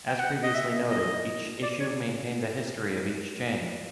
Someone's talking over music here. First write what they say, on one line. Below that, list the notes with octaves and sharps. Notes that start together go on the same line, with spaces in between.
As previously noted, each issue maintains a history of each change.
G5
F#5
D#5
E5
D#5
D5
C#5